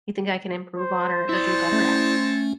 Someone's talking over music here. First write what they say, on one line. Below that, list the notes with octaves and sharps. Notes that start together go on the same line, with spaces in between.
you think I can improve on or or do better at?"
C5
C4 E4 C#5 D5 A5
A3 C#4